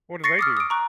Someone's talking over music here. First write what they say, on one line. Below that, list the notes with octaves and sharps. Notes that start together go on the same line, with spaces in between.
What do they do?
C#6 A6 A#6 C7 C#7
D6 D#6 F6
D#6 D7
A#5 C#6 F#6